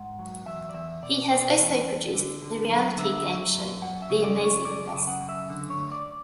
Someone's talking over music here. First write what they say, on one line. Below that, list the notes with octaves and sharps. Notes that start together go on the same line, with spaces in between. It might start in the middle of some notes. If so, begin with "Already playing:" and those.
He has also produced the reality game show "The Amazing Race".
Already playing: G#2 F#5
F#3
E2 E5
D5
E2 E5
B2 D5
B2
E2
E2
D3
D3
F#3
D3 E5
F#3
F#2
F#2 F#5
E5
C#3
D5
F#2
C#5
F#2 D5
C#3
F#5
F#2
E5
D3
C#5
D2
D5